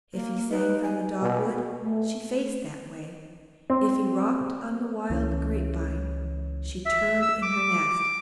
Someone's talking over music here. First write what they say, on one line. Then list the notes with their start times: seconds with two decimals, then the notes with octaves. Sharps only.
If he sang from the dogwood, she faced that way. If he rocked on the wild grape-vine, she turned in her nest.
0.14 A#3
0.51 D#4 B4
0.83 G#5
1.22 B2
1.84 A3
3.70 C4
5.10 C#2 E3 F#3 C#4
6.86 E5
7.22 E6
7.43 D6